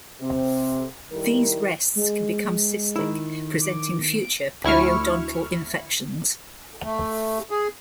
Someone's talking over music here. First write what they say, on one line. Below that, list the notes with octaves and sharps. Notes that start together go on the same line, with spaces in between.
These rests can become cystic, presenting future periodontal infections.
C3 C4
D#3 G3 E4 A#4
G#3
D#3 E4
D6
D7
D2 E4 C#6 F6
A3
G#4